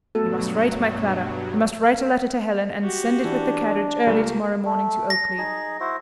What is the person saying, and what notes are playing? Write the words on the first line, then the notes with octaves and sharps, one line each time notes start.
You must write, my Clara--you must write a letter to Helen, and send it with the carriage early to-morrow morning to Oakley.
G2 B2 F#3 A3 B3 F#4 A4
F#4 G4
E3 D4
C#2 G3 A3 A#3
A3
A#6
D#4 G#4
E4 F#4 C5